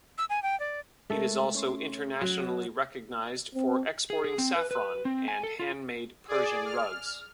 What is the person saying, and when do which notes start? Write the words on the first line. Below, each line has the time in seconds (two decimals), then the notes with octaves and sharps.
It is also internationally recognised for exporting saffron, and handmade Persian rugs.
0.18 E6
0.30 G#5
0.43 G5
0.60 D5
1.10 G#3 A3 A4 A#4
1.55 C#4 C#5 C6
2.21 F#3
3.54 C4
4.10 G#4
4.24 G#4
4.38 C4
4.56 B4
4.71 B4
5.05 C4
5.28 G#5
5.43 A4
5.59 F4
6.28 G#4 D5
6.65 F6